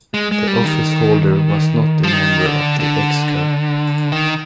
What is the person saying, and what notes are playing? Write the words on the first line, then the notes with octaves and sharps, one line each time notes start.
The office holder was not a member of the ExCo.
G#3
G#3
G3
D#3
F3
D#3
D3
D3
D#3